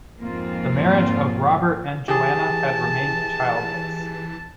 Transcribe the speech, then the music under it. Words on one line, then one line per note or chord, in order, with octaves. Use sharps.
The marriage of Robert and Joanna had remained childless.
F2 G#2 A#3 C4 F4
E3 G4 G#4 A5